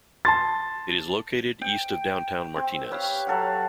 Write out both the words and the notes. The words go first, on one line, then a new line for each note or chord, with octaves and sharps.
It is located east of downtown Martinez.
A5 C6 A6
G5
C4
G4 B4 C#5 F5
F#3 A4 F5 F#5